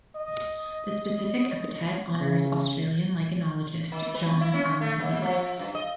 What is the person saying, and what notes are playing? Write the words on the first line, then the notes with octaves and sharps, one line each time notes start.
The specific epithet honours Australian lichenologist John Alan Elix.
D#5
C#3
D#3
B4
E4
C#4
A3
D#2
F3
G2
D#5